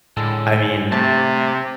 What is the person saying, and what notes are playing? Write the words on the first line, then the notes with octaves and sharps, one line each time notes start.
I mean,
A2 D3 G#3 A4
C3 A3 A5